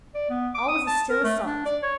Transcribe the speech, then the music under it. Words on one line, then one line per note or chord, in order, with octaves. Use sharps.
All was as still as salt.
D5
B3
D6
D#6
A5
A#4
A3
D4
D5
C#5